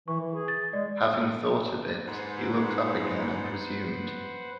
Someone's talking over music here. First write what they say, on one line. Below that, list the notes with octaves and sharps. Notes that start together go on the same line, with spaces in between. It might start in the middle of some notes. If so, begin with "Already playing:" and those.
Having thought a bit, he looked up again and resumed.
E3 C#6
E3
G#4
A6
G#3 D5
G#2 B4 C5 F#5